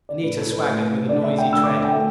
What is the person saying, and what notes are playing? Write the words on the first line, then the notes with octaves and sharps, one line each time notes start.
Anita swaggered with a noisy tread.
D5
A2 A3 B4
A4
B4
A2 A3
D3 A3 D5
E5
G5
D3 A3 E6
D6
E5
G5
A3